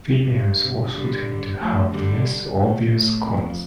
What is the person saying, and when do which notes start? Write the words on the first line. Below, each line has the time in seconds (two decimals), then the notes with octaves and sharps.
Females also tend to have less obvious combs.
0.25 G2
0.92 D3 G3
1.59 F3 A3
1.92 D3 G3
2.59 A2
2.92 A2
3.26 F2